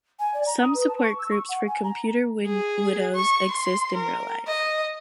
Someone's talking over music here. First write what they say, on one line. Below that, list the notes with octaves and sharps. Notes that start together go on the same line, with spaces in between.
Some support groups for computer widows exist in real life.
G#5
D5
A#5
D#6
B4
A5
C#6
E6
C#6
F#5
G#5
A#5
G#4
C#6
C6
A#4
D#5